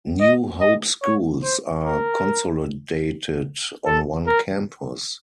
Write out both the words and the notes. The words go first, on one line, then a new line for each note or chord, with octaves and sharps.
New Hope Schools are consolidated on one campus.
D#5
D#5
C#5
C5
A#4
A4
A#4